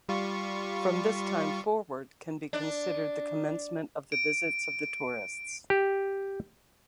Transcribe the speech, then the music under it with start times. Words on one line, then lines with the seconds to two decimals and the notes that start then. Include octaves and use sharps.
From this time forward can be considered the commencement of the visits of tourists.
0.09 G3 F4 C#6
2.53 D4
4.12 D7
5.70 G4